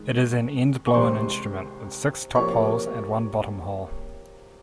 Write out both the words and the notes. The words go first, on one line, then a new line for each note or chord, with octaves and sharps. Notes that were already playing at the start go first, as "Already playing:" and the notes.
It is an end-blown instrument with six top holes and one bottom hole.
Already playing: D#3 G#3
C#6
C2 C3 D#3 G#3 C5 C6
C3 F3 A#3 C#5 C#6